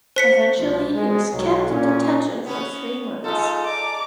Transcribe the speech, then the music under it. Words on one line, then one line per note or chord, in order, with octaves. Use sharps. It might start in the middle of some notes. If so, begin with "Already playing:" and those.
Eventually he was kept in detention for three months.
C5 B6 C#7
C2 B2 F3
G#3
B1 F#3
A#2 C#4
B3 C#4 B4
G#3 D#4 F4 A4
D5 A#5 D6